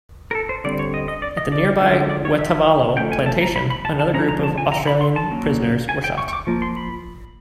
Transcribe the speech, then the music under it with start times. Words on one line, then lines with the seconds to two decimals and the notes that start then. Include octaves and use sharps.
At the nearby Waitavalo Plantation, another group of Australian prisoners were shot.
0.31 A#4
0.35 A4
0.49 C5
0.64 D3 G3 C4 D5
0.79 C#5
0.94 D#5
1.08 D#5
1.22 D5
1.37 D#5
1.52 D5
1.81 D3 F3 G#3 C#4
2.10 D5
2.25 C#5
2.39 E5
2.97 F3 A3 C#4 G5
3.12 G#5
3.26 A5
3.41 A#5
3.56 B5
3.70 B5
3.85 A5
4.00 A5
4.14 F3 G#3 C#4 A#5
4.29 A#5
4.43 A5
4.58 G#5
4.72 A#5
4.87 B5
5.01 C6
5.16 A5
5.31 F#3 A#3 C#4
5.89 G#5
6.04 G5
6.18 C#6
6.28 C#6
6.33 D6
6.47 F3 A#3
6.62 C6
6.77 B5